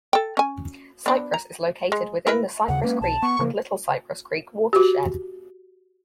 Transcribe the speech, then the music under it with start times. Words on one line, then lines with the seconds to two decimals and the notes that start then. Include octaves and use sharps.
Cypress is located within the Cypress Creek and Little Cypress Creek watershed.
0.13 A4 G5
0.37 C#4 G#5
1.06 B3 D4
1.34 A#5
1.92 G#3
2.27 E4 A#4 B4
2.68 D#2 C#3 F#5
2.83 G#3 A#3 C#4 B4
3.01 B1 A5
3.22 B3 C#6
3.39 C#3 A#3 A#4
4.73 F#4 G4